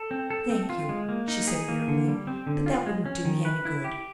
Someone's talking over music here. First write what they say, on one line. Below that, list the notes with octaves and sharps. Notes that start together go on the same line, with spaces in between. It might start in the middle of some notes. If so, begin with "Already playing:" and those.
"Thank you," she said, wearily, "but that wouldn't do me any good."
Already playing: A4
C4
A4
C4
F4
G#3
A#3
D#4
G#4
A#3
D3
G3
C4
D3
F4
G#3
C#4
D#3
B4
E4
G4